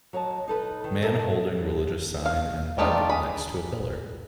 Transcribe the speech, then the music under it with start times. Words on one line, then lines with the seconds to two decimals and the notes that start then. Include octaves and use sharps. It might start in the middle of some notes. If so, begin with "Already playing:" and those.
Man holding religious sign and bible next to a pillar.
0.13 F#3 C#5 D#5 A5
0.48 D#4 A4 B4
0.84 D#3
1.01 A3 B3 C#4 A4 A#4 D#5
1.19 A4
2.26 F5
2.79 G3 A3 D4 D#4 F4
3.10 G#4 B5